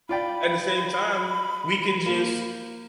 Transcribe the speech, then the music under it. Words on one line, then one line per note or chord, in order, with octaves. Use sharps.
at the same time, we can just,
F4 D5 G5 B5
A#3